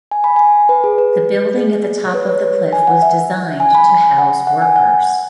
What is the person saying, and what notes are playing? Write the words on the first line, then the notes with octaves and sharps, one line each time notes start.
The building at the top of the cliff was designed to house workers.
G#5
B5
G#5
B4
G#4
B4
G#4
C#5
B4
C#5
G#5
F#5
E5
G#5
B5
G#5
F#5
F#5
G#5
F#5